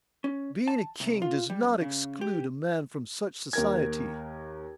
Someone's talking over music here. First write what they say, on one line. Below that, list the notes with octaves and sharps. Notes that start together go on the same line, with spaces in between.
Being a King does not exclude a man from such society.
C#4
A5
C2
F4
G3
F#2
C#3
G4
D#2 A#4 G#6